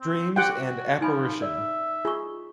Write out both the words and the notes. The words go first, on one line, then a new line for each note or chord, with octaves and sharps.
Dreams and Apparition.
C4
F#4 G4 F#5 G5
F3 D#4 G#5 B5
D5 E5
F4 G#4 C#6